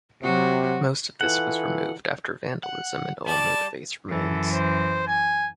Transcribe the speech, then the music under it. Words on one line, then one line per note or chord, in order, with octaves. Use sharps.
Most of this was removed after vandalism, and only the base remains.
C3 F#3 F#4
E3 F4 A4 F#5
F#5
G3 D5 A5
F#2 E3 A4
C5
G#5